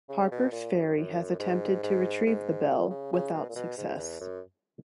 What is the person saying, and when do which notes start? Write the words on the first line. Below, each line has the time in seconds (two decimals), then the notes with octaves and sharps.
Harpers Ferry has attempted to retrieve the bell without success.
0.09 C#3
0.32 B2
0.52 A#2
0.74 F#2
0.96 F#2
1.39 G#2
1.83 G#2
2.26 G#2
2.69 A#2
2.90 C#3
3.12 C#3
3.34 B2
3.49 A#2
3.55 B2
3.77 G#2
3.98 E2
4.20 F#2